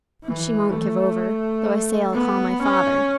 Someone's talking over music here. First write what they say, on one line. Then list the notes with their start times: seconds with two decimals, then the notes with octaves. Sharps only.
And she won't give over, though I say I'll call my father.
0.23 E3
0.71 A3
2.14 B3
2.62 C#4